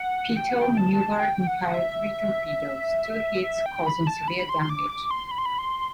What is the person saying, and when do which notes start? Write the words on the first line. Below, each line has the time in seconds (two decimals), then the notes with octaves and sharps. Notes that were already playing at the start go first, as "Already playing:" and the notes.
"Peto" maneuvered and fired three torpedoes; two hits causing severe damage.
Already playing: F#5
0.37 G5
0.49 F#5
0.61 G5
0.77 A5
1.19 G5
1.47 F#5
1.74 E5
3.66 G5
3.86 B5
4.07 A5
4.28 B5
4.39 B5
4.49 C6
4.62 C6
4.69 D6
4.90 D6
5.11 C6
5.31 B5
5.38 C6
5.46 B5
5.58 C6